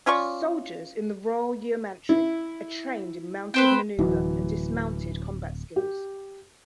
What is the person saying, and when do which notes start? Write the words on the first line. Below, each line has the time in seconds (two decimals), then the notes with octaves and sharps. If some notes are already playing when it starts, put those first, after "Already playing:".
Soldiers in the Royal Yeomanry are trained in mounted manoeuvre and dismounted combat skills.
0.06 C#4 F4 D5 C#6
2.09 E4
3.54 C4 B4 C5 G5
3.99 D1 E3 F#3
5.76 G4